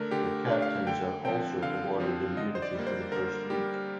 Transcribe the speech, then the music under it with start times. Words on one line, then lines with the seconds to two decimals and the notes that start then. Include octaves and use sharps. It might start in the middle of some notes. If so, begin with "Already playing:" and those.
The Captains are also awarded immunity for the first week.
Already playing: D3 A3 D4 A#4
0.11 D3 G4
0.49 A3 D4
0.62 F5
0.87 D3 G5
1.25 F3 C4 G5
1.62 D3 F5
2.00 F3 C4
2.37 D3 D#5
2.55 C5
2.62 D5
2.75 G3 A#3
2.87 C5
3.12 D3 A#4
3.50 G3 A#3 G4